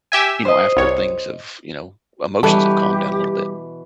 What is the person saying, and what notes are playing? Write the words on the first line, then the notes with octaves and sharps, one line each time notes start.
you know, after things have, you know, emotions have calmed down a little bit"
G4 E5 G#5
C5 D#5
C2 C#5
B2 E3 G3 G4 A4